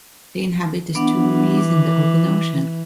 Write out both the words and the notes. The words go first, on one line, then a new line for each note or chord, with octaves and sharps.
They inhabit estuaries and the open ocean.
E3 B3 D4 F#5
D6